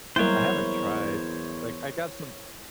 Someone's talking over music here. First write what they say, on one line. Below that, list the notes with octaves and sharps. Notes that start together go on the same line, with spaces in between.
I haven't tried. Like, I got some
E2 F#3 G3 A#3 E4 A#4 C5 C#5